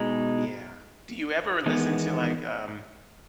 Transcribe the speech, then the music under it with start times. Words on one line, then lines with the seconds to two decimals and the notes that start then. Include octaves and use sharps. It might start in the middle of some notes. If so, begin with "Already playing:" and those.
Yeah. Do you ever listen to, like, um,
Already playing: B2 G#3 D#4
1.66 E2 D#3 G#3 B3